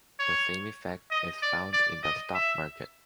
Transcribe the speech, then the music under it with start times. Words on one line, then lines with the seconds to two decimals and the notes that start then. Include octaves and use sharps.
The same effect is found in the stock market.
0.20 C#5
1.11 D#5
1.42 D5
1.73 D5
2.03 D#5
2.34 E5